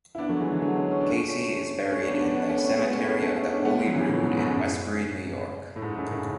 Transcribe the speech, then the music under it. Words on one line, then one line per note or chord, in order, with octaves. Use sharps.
Casey is buried in the Cemetery of the Holy Rood in Westbury, New York.
E4
B3 D4
F#3 A3
E3 G#3
D3 F#3
F#3 A3
A3 C#4
C#4
D4
A3 C#4
A3 C#4
B3 D4
B3 D4
B3 D4
A3 C#4
B3
A3 C#4
G#3 B3
A3 C#4
A3 C#4
A3 C#4
C#4 E4
B3 D4
G#3 B3
G#3 B3
F#3
C#3 E3
A2 C#3
G#2 B2
F#2 A2
F#2
A2
G#2
F#2 A2
A2 C#3